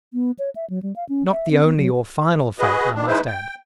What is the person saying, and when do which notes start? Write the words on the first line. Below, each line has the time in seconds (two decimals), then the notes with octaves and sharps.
Not the only or final fate, I must add.
0.14 B3
0.39 C#5
0.56 E5
0.70 F#3
0.83 G3
0.96 F5
1.09 C#4
1.31 E5
1.51 C4
1.64 B3
1.77 F#3
2.59 F#4 G#4 B4 D#5
2.94 D#3 D4
3.07 E3 G#3 D#4 E4 B4 C5
3.26 G5